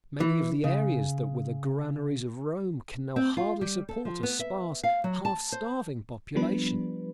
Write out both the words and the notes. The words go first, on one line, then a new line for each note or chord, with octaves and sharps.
Many of the areas that were the granaries of Rome can now hardly support a sparse, half-starving population.
E3
C#3
C4
F4
G3
A4
F3
B3
E5
F5
F#3
A5
C5
F3 G3 B3 D4 B4